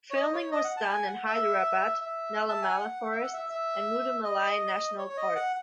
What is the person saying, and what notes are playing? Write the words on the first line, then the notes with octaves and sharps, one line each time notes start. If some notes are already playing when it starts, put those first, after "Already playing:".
Filming was done in Hyderabad, Nallamala forests, and Mudumalai National Park.
C#5
D#5
C#5
D#5
F#5
A5
G#5
F#5
E5
E5
A5
G#5
F#5
E5
F#5
E5
E5
D#5
C#5
C#5
D#5
F#5